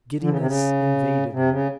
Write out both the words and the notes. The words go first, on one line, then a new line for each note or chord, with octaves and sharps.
Giddiness invaded him.
D3
C#3
C3
C#3
C3
C#3